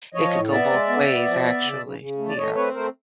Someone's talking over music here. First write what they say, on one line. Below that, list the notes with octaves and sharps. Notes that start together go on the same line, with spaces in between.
it could go both ways actually. Yeah.
F3 C#5 D#5
A2
B3 D5 E5
G#3
B3
B3
F3
B3
C#3
C#3
C#3
A3
D5
A3 C#5 D#5
C4 B4 C#5
A3 A#4 C5